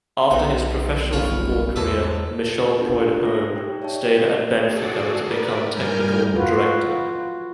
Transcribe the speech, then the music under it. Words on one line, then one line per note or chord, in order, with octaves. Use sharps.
After his professional football career, Michel Preud'homme stayed at Benfica to become technical director.
B1 B2 D#4 F#4 G4 A4
F#1 G3 B3 D#4 F4 C#5
E2 G#3 A4 B4 C#5 E5
C4 D4 F4 G4 A#4
F#6 A#6
D#4 G4 G5
C#5 D5 E5 G5 A5
F#4 G#4 A4 D5
A#4 B4 D5
G2 G3 A#4 G#5 F6 G6
F4 F#4 B4